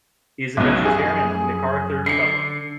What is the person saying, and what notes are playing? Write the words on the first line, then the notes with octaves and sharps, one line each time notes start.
He is a vegetarian and a MacArthur fellow.
B1 F#2 B2 F3 E5
G#4
D3 C7 C#7